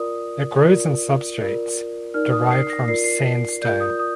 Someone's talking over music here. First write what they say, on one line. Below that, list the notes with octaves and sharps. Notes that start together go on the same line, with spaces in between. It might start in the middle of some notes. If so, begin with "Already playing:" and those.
It grows in substrates derived from sandstone.
Already playing: F4 A#4 D5 D#6
F4 A#4 D5
F4 A#4 D5
D#4 A#4 D5 F6
D#6
C7
A#6
F4 A#4 D5 C7
C7
F4 A#4 D5 G6
D#6
D#6